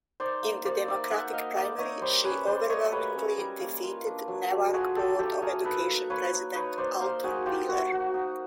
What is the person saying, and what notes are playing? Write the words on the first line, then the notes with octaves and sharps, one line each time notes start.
In the Democratic primary she overwhelmingly defeated Newark Board of Education President Alton Wheeler.
D#4 C5 D5
A#3
A#3 C5 D5
D#4 D5 E5
D#4 E5 F#5
A#3 D#5 F5
A#3 D5 E5
D#4 C#5 D#5
G3 C5 D5
C#4 B4 C#5
G3 C5 D5
A#3 C#5 D#5
G3 B4 C#5
C#4
G3
A#3
F4
D4
F#3
A3
F4 F#4 G#4
D4 G4 A4
F#3 G4 A4
A3 G#4 A#4
D#4 A4 B4
A#3
A#3 B4 C#5
D#4
D#4 B4 C#5
A#3 C5 D5
A#3 A#4 C5
D#4 F#4 G#4
D#4 F4 G4
A#3 F#4
A#3 F#4
D#4